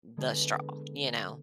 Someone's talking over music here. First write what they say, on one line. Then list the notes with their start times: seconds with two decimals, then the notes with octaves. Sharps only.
the straw, you know?
0.17 D3 G#3 B3 D4 G#4